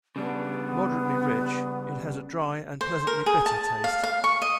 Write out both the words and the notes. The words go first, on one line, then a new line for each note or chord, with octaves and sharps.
Moderately rich, it has a dry and pleasantly bitter taste.
C#3 G3 B3 D4
C5
A#4
G#4
A5
F5
F5
C#6
D#5